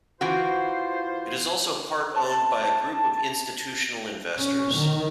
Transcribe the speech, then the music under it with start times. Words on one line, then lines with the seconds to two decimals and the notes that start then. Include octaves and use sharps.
It is also part-owned by a group of institutional investors.
0.21 E3 F4 F#4 C5
2.16 A5
4.38 C#4
4.75 D#3